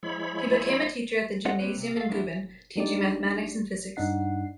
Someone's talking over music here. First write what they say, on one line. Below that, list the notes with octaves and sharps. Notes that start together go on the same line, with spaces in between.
He became a teacher at the Gymnasium in Guben, teaching mathematics and physics.
F3 G#3 E4 C#5 B5
C4 F4 A4 C#5 D#5 F#5
A#3 C4 B4 C#5
C3
A4 F5
F3 F#3 B3 D4 E4 F4
F#3 G#3 D4 D#4 G4 D5
G2 D4 D#4 F#5 C7